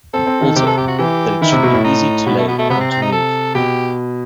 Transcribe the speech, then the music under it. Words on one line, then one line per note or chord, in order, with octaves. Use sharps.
Also that it should be easy to lay and to move.
C4 A4
C4
D#3
C3 G4
A4
G4
F#4
E3 G4
D#3 E4
C3
B2
A2
D#4
B2 B3
A3
B3
A3
C3 B3
C4
C4
D#4
A4
B2 G4